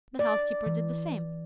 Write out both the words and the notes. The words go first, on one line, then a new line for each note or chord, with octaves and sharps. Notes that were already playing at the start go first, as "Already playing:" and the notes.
The housekeeper did the same.
D5
E3